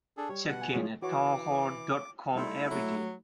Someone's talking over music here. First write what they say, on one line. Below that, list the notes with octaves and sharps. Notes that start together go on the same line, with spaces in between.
Check in at Townhall dot com every day.
D4 G#4 A4
G3 C#5
B2 F#5
G#5
F3 G#3 C#4
E3 F#4 C#5 D6
G3 A3 D#4 E4 C5
A2 F#3 D6